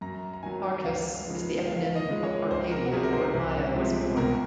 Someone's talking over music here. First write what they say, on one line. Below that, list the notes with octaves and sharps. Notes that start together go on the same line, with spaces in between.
Arcas is the eponym of Arcadia, where Maia was born.
F#2 A#5
A#5
D#3 F#3 G#5
C#2 F5
C#3 F3 G#3
D#2 F5
F5
D#5
C#3 F3 G#3
C#5
C#2 C5
A#4
F#4
C3 F#3 G#4
A#4
C5
C2
C3 F3 G#3
C#2 A#4